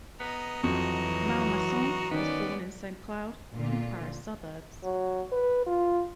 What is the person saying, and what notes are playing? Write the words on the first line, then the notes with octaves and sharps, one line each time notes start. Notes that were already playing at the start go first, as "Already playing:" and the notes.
Malmasson was born in Saint-Cloud in the Paris suburbs.
B3 D#5 A#5
F2 E3 F#3 F#4
D#3 B3 C#4 D5
A#2 D3 F4
F#3
B4
F4